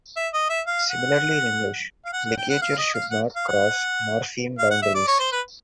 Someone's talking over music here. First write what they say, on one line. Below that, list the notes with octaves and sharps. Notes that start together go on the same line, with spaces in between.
Similarly in English, ligatures should not cross morpheme boundaries.
E5
D#5
E5
F5
F#5
F5
F#5
F#5
G5
F#5
F5
D#5
F5
F#5
F5
F#5
F5
F#5
E5
D5
C#5
C5
B4